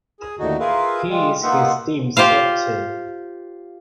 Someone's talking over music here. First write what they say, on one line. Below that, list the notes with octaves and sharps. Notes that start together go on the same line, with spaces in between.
He is his team's captain.
G#4
D#2 A2 D3 D#4 F#4
F4 G#4 A#4 B4 E5 F5
G3 G#3 F4
A#3 B3 D#4 F4 E5 F#5
F4 G4 C5 F5